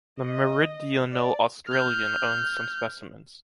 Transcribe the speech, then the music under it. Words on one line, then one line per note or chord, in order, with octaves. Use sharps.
The Meridional Australian owns some specimens.
D#5
D5
F6 G6